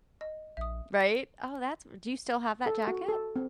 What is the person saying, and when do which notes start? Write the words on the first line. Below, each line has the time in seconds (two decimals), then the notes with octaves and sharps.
Right? Oh, that's do you still have that jacket?
0.21 D#5
0.57 A#1 E5 D#6
2.66 A4
2.87 F#4
3.09 A4
3.36 C4